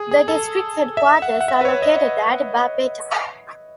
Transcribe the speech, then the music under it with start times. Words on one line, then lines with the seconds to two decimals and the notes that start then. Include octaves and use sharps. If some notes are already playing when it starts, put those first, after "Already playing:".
The district headquarters are located at Barpeta.
Already playing: G#4
0.11 G#4
0.28 A4
0.97 E5
1.22 F#5
1.41 F#5
1.48 E5
1.61 B4
1.65 C#5
1.82 D#5